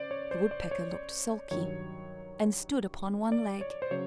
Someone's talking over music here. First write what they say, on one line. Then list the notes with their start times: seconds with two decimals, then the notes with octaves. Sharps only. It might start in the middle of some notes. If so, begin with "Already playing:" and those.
The Woodpecker looked sulky and stood upon one leg.
Already playing: C#3 C5 D5
0.11 C#5
0.31 C5
0.51 D5
0.71 C#5
1.51 G2 D#3 F#3 C#5
3.32 D5
3.61 C#5
3.82 C5
3.91 C#3 F#3 C#5